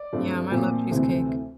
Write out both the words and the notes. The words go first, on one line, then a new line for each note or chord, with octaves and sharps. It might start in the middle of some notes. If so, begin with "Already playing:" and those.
Yum, I love cheesecake.
Already playing: D5
G2 F3 A3 C4
A#2 F3 C4
D2 C3 E3 A3 C4